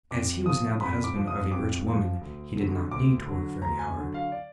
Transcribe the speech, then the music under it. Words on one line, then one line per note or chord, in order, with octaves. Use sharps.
As he was now the husband of a rich woman he did not need to work very hard.
F2 D6
F3 D#6
F2 B5
D6
F3
D#6
F2 D6
F3
D2
D3 F#3
D2 D6
D3 F#3
D2 A#5
G#5
D3 F#3
F5
D5